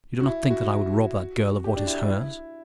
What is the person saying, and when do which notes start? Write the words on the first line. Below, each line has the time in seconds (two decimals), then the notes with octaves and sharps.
You do not think that I would rob that girl of what is hers.
0.20 F#4
0.27 E4
0.50 F#4
1.64 G4
1.76 D4
1.87 E4
2.10 E4